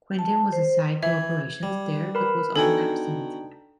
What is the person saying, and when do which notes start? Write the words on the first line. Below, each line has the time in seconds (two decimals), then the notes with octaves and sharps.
Quentin was assigned to operations there but was often absent.
0.19 A5
0.53 C5
1.03 E3 E5 G#6
1.63 G3
2.15 A#4 B4 B5
2.56 B3 D4 D#4 F#4 A4 G5 G#5